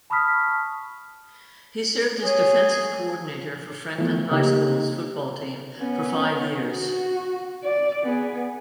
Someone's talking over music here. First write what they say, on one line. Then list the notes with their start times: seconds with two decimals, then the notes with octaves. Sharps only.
He served as defensive coordinator for Franklin High School's football team for five years.
0.10 A5 B5 C#6 D#6 F6 B6
2.22 G#4 C#5
3.98 E3 F3 A3 B3
4.31 C#3 A#3 D#4 G4
5.79 B3 C#4
6.67 F#4
7.64 D5
8.03 B3 G#4